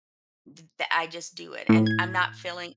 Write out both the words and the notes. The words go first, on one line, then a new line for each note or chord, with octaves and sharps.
th the I just do it and I'm not feeling
A2
G#6